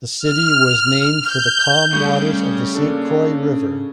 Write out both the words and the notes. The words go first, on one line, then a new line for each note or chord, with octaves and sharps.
The city was named for the calm waters of the Saint Croix River.
F6
G6
C#3 G3 A3 C#6
A#3 D4 A4